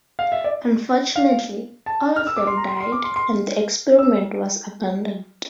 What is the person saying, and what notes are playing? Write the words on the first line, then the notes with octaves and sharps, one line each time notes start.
Unfortunately, all of them died, and the experiment was abandoned.
F5
E5
D5
F5
A5
F6
E6
D6
C6
A#5
C6
C6
D6
C6
C6
E6